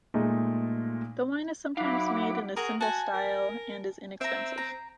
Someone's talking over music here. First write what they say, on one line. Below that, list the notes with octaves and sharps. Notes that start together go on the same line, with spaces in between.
The wine is sometimes made in a simple style and is inexpensive.
A#2 G#3 A3 D#4
F#3 D#4 E4 F5 F#5 B5 D6
F#4 G#4 A#4
F#4 G#5 A5
A#4
C4 E5 A#5
A#5